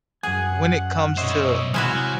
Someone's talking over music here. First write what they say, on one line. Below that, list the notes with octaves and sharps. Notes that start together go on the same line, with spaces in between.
when it comes to
F#2 G#4 F#5 G#5
B2 C5 C#5 D#5 E5
C3 F#3 G#3 E4 F#4 G#5 F6